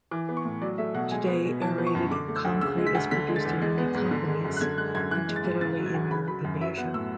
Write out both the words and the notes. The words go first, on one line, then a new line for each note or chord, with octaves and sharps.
Today aerated concrete is produced in many companies, particularly in Europe and Asia.
E3 D6
B3
C#6
A2
F#3 D5
A3 E5
B2 F#5
G#3 G#5
B3
B2
E3 A5
B3
C#6
F#2
D3 D6
A3
E6
D2
C#3 E6
G#3
B6
D2
D3 B6
G#3
A6
E2
G#3
B3
G#2
D3
G#3
F#2
F#6
D3 G#6
G#3 F#6
F#2 G#6
E3 F#6
G#3
A6
G#2
C#3 A6
F#3
G#6
D2
C#3 B5
F#3 B5
F#2
F#3 E5
B3 F#5
A2 E6